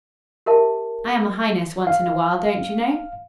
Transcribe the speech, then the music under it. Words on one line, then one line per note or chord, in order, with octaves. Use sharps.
"I am a highness once in a while, don't you know?"
G4 A#4 E5 A5
F5